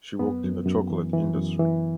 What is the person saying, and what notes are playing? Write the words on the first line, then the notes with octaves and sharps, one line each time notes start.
She worked in the chocolate industry.
F#2 B3
F#2
F#2
E3
E3
F#2
E3